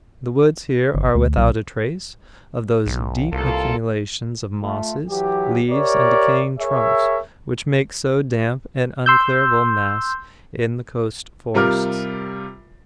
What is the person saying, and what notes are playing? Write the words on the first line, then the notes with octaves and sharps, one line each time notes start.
The woods here are without a trace of those deep accumulations of mosses, leaves, and decaying trunks which make so damp and unclearable mass in the coast forests.
G1
D2
B1
B1
C2 A#3 F4 A4
A3 F4
E3 F#3 G4
G4 A#4 C#5 D5 E5
G#4 A#4 C#5 E5
C6 E6 G6
C3 G3 F4 A#4 D6 F6